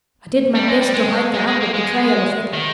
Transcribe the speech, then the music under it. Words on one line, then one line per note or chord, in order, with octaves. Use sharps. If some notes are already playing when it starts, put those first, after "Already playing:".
I did my best to hide the outward betrayal of it.
G3
G#3
G3
G#3
G#3
G#3
A#3
G#3
D#3